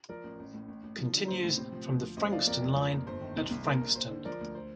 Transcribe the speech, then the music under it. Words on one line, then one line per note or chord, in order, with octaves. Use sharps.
Continues from the Frankston line at Frankston.
F3 A#4 D5
A1
A1
A2
A1
A1
F3
D3
A#1 C5
A2
C3 C5
F3
D2
F3
A1 C5 D#5
F3 D5 F5
F2 A#4 D5
F1
F3
A#2
G1 C5
D#3
C2
C2
A#1 A#4
A#1
D#2 C5
D3
F3 A#4 D5
D2
C5